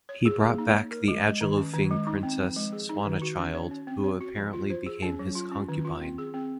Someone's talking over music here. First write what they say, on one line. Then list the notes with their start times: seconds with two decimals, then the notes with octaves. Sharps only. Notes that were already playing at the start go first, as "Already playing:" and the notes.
He brought back the Agilolfing princess Swanachild, who apparently became his concubine.
0.09 C#5
0.25 G#4
0.42 A#3
0.58 D#4
0.74 C#5
0.91 A#4
1.08 G#3
1.24 G#3
1.41 D#3
1.57 C#4
1.74 D#3
1.91 G#3
2.07 D#4
2.23 C4
2.40 F3
2.56 G#3
2.72 G#4
2.89 D#4
3.05 D#3
3.22 F#4
3.39 C#4
3.55 C#5
3.71 C#4
3.87 C4
4.04 C#5
4.21 F#4
4.37 F3
4.53 F4
4.70 C5
4.86 G#4
5.02 C#4
5.19 F#3
5.35 F4
5.52 C#4
5.69 D#3
5.85 F4
6.01 C4
6.18 G#4
6.34 C4